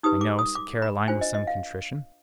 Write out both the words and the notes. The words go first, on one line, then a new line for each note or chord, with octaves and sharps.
"I know," said Caroline, with some contrition.
D#4 G4 B4 D#6
D6
D#6
D6
B5
D4 F4 C5 G#5
D#5
D#5
F5